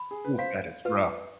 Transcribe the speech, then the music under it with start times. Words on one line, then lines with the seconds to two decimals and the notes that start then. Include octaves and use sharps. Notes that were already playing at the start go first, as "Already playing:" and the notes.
Ooh, that is rough.
Already playing: B5
0.11 G#4
0.25 B4
0.38 C5 F5
0.85 F4 B4